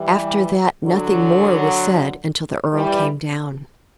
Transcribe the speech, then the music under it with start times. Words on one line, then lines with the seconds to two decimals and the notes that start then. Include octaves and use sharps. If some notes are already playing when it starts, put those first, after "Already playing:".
After that nothing more was said till the earl came down.
Already playing: E3 G3
0.84 D3 F#3
2.72 E3 G3